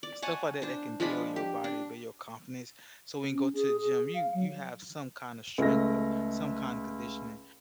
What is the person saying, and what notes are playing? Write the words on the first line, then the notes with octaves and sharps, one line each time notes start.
stuff like that that can build your body, build your confidence. So when you go to the gym, you you have some kinda strength or some kinda conditioning.
D5
C#5 F#5 G#5 A5
D4 C5
F3 G#3 D4 B5
G4
D4
C#4
G#4
G#4
F5
F#3
C#2 A3 A#6